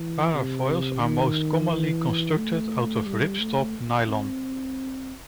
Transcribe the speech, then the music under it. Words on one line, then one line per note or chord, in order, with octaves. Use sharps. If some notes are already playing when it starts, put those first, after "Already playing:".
Parafoils are most commonly constructed out of ripstop nylon.
Already playing: E3
C3
D#3
E3
A3
G3
A3
C4